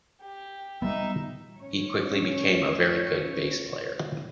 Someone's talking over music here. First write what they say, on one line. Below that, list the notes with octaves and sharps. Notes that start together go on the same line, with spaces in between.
He quickly became a very good bass player.
G4
G3 B3 D#4 E5
A2 C#4 C#5